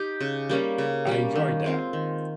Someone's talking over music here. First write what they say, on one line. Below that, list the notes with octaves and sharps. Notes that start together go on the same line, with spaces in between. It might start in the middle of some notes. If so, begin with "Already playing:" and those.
I enjoyed that.
Already playing: D#4 G4
C#3
G3 A#3 C#4
C#3
G3 A#3 C#4
D#3
G#3 C4 F4
D#3